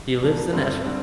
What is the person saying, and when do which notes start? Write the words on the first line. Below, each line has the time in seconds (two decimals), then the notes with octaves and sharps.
He lives in Esher.
0.21 G#2 F3 A#3 D4
0.52 G1 G2 D3 G3 C4
0.83 D3 G3 C4